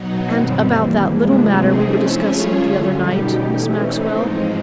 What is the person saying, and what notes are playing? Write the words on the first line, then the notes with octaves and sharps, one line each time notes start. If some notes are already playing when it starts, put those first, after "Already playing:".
And about that little matter we were discussing the other night, Miss Maxwell.
Already playing: B2 F#3 B3 D#4
G2 D#3 G3 C4
E3 G3 A#3
C3 F3 G#3 B3 D4
A3 C4 D#4 G#4
F3 A3 C#4 E4
A3 C#4 F4 G#4 C#5
F#2 D3 G3
B2 G3 B3 D#4 G4
E3 A3 C#4
E3 A3 C4 D#4
G#2 F3 G#3